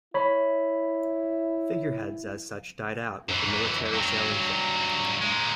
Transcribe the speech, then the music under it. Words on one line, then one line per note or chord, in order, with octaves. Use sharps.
Figureheads as such died out with the military sailing ship.
E4 C#5 B5
F#2 E3
G2 F#3
A#2 G#3